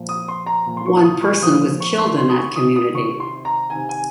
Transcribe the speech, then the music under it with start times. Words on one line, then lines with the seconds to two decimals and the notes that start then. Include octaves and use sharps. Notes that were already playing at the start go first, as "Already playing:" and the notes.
One person was killed in that community.
Already playing: A#2 F3
0.09 D#6
0.28 C6
0.46 A#5
0.67 A#2 F3
0.77 C6
0.86 C#6
1.04 D#6
1.23 C#6
1.42 A#2 F3 D#6
1.80 C#6
1.99 C6
2.18 C3 D#3 C6
2.29 D#6
2.38 C#6
2.56 D#6
2.76 D#6
2.94 C3 D#3 C#6
3.20 C6
3.45 A#5
3.70 C3 D#3 G#5
3.89 G#5